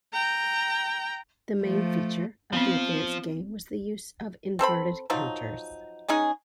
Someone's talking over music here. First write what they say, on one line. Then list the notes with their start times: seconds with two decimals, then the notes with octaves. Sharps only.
The main feature of the advanced game was the use of inverted counters.
0.13 G5 A#5
1.63 F3 A3
2.53 F3 B3 C4
4.59 C4 A4 C5 B5
5.10 F3 F#3 D#4
6.08 G#3 C#4 D#4 G#4